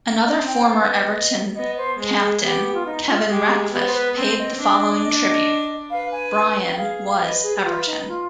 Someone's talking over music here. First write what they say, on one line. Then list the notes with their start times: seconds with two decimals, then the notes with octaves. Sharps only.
Another former Everton captain, Kevin Ratcliffe, paid the following tribute: Brian was Everton.
0.24 C4 D#5
0.46 G5
0.68 B3 F5
0.82 D5
0.90 D#5
1.56 B3 D#5
1.77 C5
1.98 G#3
2.21 G#4
2.42 B3 G4
2.74 F4
2.86 D#4
3.08 F4
3.29 G#3 G4
3.73 B3 G4
3.80 D5
3.87 C5
3.94 B4
4.16 C4 C5
4.38 D#5
4.60 D4
5.03 D#5
5.12 D5
5.21 D#5
5.90 B4 F5
6.12 G#5
6.73 G5
6.77 G#4 F5
7.09 F5
7.21 B4 D#5
7.43 G#4
7.57 G4
7.64 F4 B4
7.86 D#4
8.08 F4